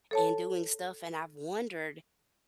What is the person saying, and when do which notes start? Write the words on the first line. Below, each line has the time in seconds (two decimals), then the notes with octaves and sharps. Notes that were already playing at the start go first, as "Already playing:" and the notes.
and doing stuff, and I've wondered,
0.11 A4 C#5 A5